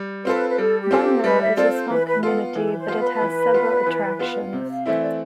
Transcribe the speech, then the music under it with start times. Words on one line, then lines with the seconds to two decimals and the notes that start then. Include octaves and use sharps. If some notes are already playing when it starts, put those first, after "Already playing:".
Barnwell is a small community, but it has several attractions.
Already playing: G3
0.25 C4 F4 A4 B4
0.48 B4
0.58 G3 A4
0.80 G4
0.91 C4 F4 A4
1.02 G4
1.24 G3 B4
1.41 E5
1.57 C4 F4 A4 D5
1.73 C5
1.89 E3 B4
2.06 B4
2.22 B3 F4 A4
2.55 E3 A4
2.72 B4
2.77 C5
2.88 B3 F4
2.99 B4
3.21 E3
3.54 B3 F4
3.86 E3
4.19 B3 F4
4.53 C3 C5
4.68 F5
4.86 E3 A3 C4 E4 E5
5.01 D5